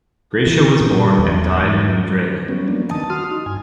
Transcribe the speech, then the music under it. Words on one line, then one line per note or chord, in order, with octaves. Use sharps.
Gracia was born and died in Madrid.
E3
A#2
E2
G#2
F#3 G3 B3 C#4
F3 A#3 B3 D4
D#3 A5 D#6
F#4 C6 D#6 F6
D#4
G2 G#5